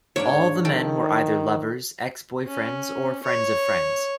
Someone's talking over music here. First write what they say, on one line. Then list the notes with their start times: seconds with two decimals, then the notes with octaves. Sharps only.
All the men were either lovers, ex-boyfriends, or friends of friends.
0.16 G#2 A#3 D4 C#5
0.65 D#3 F3 A4 G5
2.47 C#4
3.23 C#5